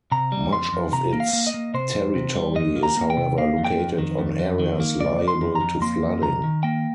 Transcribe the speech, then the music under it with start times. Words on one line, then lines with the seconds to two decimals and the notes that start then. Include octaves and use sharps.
Much of its territory is however located on areas liable to flooding.
0.12 C3 A#5
0.32 G3
0.53 F2 C6
0.73 F2
0.92 C3 A#5
1.13 A#3
1.20 F5
1.33 A#3
1.47 D#5
1.54 A#3
1.74 C3 C5
1.94 F2
2.15 C3
2.35 G3
2.55 F2 D#5
2.76 A#3
2.83 A#5
2.97 A#3
3.10 G5
3.17 C3
3.38 A#3 F5
3.58 F2
3.65 G5
3.78 F2
3.98 D#3
4.18 F2
4.39 F2
4.59 D#3
4.80 A#3
5.00 F2 D5
5.21 F2
5.28 C6
5.41 F2
5.55 A#5
5.61 F2
5.82 A#3 C6
6.02 F2
6.22 F2 A#5
6.43 D#3
6.63 A#3 G5